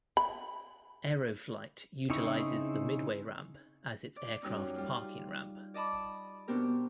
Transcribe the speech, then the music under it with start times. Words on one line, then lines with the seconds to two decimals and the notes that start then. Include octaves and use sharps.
Aeroflite utilizes the Midway ramp as its aircraft parking ramp.
0.17 B5
2.10 C#3 C4 D#4 E4 C#6
4.16 D5
4.43 F#2 G3 D#4
4.76 G3 F4
5.74 D5 D#5 A5 B5 D6
6.48 B2 B3 C4 D4 G4 A#4